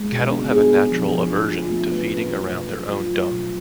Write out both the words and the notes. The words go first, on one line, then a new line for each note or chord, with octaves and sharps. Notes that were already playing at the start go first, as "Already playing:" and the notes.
Cattle have a natural aversion to feeding around their own dung.
Already playing: G#3
B2
D4
G#4
B3
F3
D4
A3
F4
A3
B4
C#4
F#3
B2
A3
F4
F#3
B2